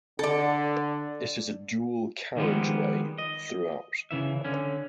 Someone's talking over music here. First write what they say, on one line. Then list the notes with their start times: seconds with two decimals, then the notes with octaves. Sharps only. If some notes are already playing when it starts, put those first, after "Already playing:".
It is a dual carriageway throughout.
0.19 D3 A4 D5
2.37 D#3 F3 G3 G#3 B3 C4
3.18 D#5
4.11 C#3 E3 E5
4.45 D3 C#4